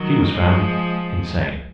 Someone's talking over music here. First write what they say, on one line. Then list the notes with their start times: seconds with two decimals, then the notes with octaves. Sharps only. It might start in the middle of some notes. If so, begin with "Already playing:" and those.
She was found insane.
Already playing: D#3 F#3
0.32 F3 G#3